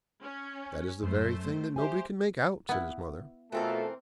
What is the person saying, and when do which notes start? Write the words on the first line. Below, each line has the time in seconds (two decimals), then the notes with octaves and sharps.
"That is the very thing that nobody can make out," said his mother.
0.21 C#4
1.03 F#2 A3 C5
1.76 G4 C5 E5 G#5
2.69 B3 E4
3.52 B2 E3 A3 C4 F4 A4 A#4